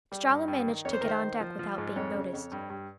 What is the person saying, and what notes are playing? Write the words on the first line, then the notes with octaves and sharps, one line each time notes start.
Estralla managed to get on deck without being noticed.
G3
G2
G2
D#3
F2 C#5
C5
D#3 A#4
C5
D#3
F3
F3
G#2
F2 C#5
C#3
F2
G2
G2